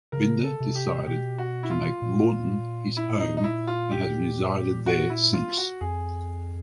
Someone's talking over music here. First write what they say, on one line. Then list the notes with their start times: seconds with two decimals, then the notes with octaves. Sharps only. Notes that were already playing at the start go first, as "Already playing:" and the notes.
Binder decided to make Lawton his home and has resided there since.
0.12 C#3 A#4
0.44 A4
0.60 C3
0.75 G4
1.07 B2 G4
1.38 F#4
1.63 E4
1.70 F4
2.02 A#2
2.97 E4
3.20 D#4
3.37 D#4
3.44 E4
3.67 F4
3.91 G4
4.86 F#4
5.10 E4
5.33 F4
5.57 F#4
5.81 F2 G#4